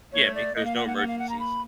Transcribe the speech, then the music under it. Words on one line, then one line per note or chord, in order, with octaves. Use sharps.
Yeah, make sure there's no emergencies.
A3 C#5
D5
A#3 D#5
F5
F#5
F#5
F#5
F5
F#5
A#5
B5